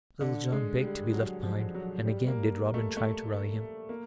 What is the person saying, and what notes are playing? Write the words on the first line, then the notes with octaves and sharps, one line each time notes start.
Little John begged to be left behind; and again did Robin try to rally him.
D3
G#3
G3
F#3
F3
F#3
G3
A#3
A3
A3
A#3